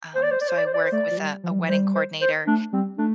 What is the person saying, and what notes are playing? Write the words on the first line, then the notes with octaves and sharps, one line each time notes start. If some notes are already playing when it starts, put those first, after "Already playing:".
um, so I work with, uh, a wedding coordinator,
C5
D5
C5
D5
C5
D5
C5
D5
C5
A3 D5
F3
G3
F3
G3
F3
G3 C5
C5
C5
A3 D4
G3 C4
A3 D4